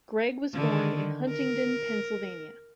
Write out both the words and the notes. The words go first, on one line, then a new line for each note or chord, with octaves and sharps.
Gregg was born in Huntingdon, Pennsylvania.
D3 D#3
A#4